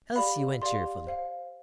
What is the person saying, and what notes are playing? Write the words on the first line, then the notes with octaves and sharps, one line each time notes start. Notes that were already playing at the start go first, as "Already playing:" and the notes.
Elsie went cheerfully.
G4 D5 F5 B5
G4 D5 F5 C6
C5 F5